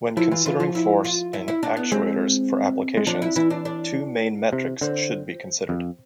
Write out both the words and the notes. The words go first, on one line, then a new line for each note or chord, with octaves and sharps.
When considering force in actuators for applications, two main metrics should be considered.
F3 E4
E3 F4
E3 F4
F3 F4
E4
F4
E4
E4
D4
B3
G#3 C4
G#3
F3 D4
E4
E3 E4
D4
D4
C3
D3 C4
F2